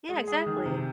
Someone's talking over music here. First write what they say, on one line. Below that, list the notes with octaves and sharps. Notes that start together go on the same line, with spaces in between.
Yeah, exactly.
G#3
G#4
D#3
C3